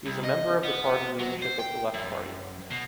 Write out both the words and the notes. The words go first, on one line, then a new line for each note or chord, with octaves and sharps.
He is a member of the party leadership of the Left party.
C2
D#5
B3
F#3
C5
G5
F#2
B2